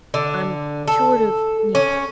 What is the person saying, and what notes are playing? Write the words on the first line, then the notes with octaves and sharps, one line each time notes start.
I'm cured of--Nita.
D3
A4
C#4